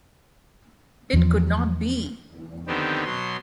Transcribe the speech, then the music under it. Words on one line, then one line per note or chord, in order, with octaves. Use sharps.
It could not be!
E2 F3
D3 D#3 B3 C4 G4
B2 F#3 C6